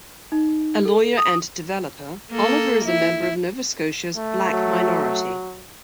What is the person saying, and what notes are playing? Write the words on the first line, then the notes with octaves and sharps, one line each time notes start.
A lawyer and developer, Oliver is a member of Nova Scotia's Black minority.
D#4
A4
D#6
A#3 A4
E4
A3
F#3